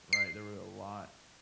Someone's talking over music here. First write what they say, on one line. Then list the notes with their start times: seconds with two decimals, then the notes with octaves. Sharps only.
right? There were a lot
0.13 C7